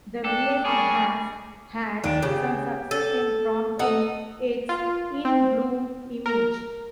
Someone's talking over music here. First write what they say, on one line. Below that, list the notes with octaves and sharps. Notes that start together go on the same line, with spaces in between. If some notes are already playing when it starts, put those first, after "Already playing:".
The village has had some success in promoting its "in bloom" image.
D4 A4 G5
G3 D4 G#4 A#4 G#5 C#6
D#2 D4 D7 E7
C#3 G4
A4
D#4 A4 F#5
F4
C4
A#4